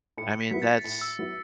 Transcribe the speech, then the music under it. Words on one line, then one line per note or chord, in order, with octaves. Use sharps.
I mean, that's,
A2 C#7
B6
F#3 B3 E4
A6
A2 C#7
E6
F#3 B3 E4